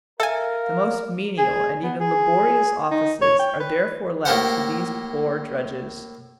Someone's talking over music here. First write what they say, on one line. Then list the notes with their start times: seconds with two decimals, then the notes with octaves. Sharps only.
The most menial, and even laborious offices, are therefore left to these poor drudges.
0.20 A4 A#4 E5 F5 G#5
1.38 G#4
1.83 B3
2.01 G#4
2.91 D#4
3.22 C#5
3.39 G5
3.60 B4
4.25 A2 A#3 G4 C5 F#5